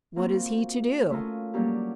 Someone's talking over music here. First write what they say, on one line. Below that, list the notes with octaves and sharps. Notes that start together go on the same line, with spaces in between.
What is he to do?
A#3 C4 F4 F#4
A3 C#4 F4 A#4 D#6
F#3 G3 A#3 C#4 D4 G4